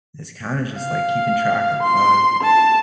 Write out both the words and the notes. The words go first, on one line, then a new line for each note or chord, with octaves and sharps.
is kinda just, like, keeping track of, uh,
F5
C6
A5